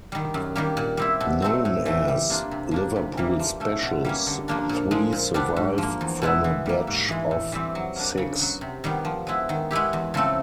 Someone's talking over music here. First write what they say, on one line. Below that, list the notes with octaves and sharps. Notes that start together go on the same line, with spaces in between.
Known as "Liverpool Specials", three survive from a batch of six.
D#3 G3
F#2
D#3 G3 A#3
A#2
G3 C4 E4
B2
F#3 A3 C4
A2
E3 A3
G3
A#3 D4 F4
C3
F3 A#3 D4
C3
E3 G3 A#3
F3
A3 C#4
B2
G3 A#3 C#4
D3
F3 A#3 D4
A#2
F3 G#3
A#2
G3 B3 D4
G#2
F3 A#3
E2
B2 G#3 B3 E4
E3
G3 A#3
G#2
E3 G#3
A2
E3 G3 C4
F#3
A#3 D4
C#3
F#3 B3
C3
D#3 G3 B3
F3
G#3 B3 E4
D#3
G#3 B3 E4 G4
E2
C#3 F3 A3 C4